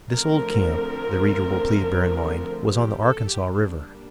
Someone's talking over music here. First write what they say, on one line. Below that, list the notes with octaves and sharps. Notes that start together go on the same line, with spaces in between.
This old camp, the reader will please bear in mind, was on the Arkansas River.
D3 F3 A3 C4 A#4
G4
A4
G4
G3 A#3 D4